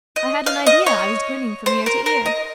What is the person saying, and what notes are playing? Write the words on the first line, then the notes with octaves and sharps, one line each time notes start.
"I had an idea I was grinning from ear to ear."
D#5
F5
D#5
C#5
C5
A#4
A#4
D#5